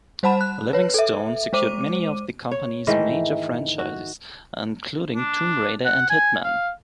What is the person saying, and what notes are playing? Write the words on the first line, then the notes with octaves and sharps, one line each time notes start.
Livingstone secured many of the company's major franchises, including "Tomb Raider" and "Hitman".
G3 C5 F#5 A5 B5 E7
F#6
B4 C#5
A4 E5
G#3 C5 D6 D#7
C#5
G#2 D#3 E3 A3
F#4
D4
F#5
G#5
F5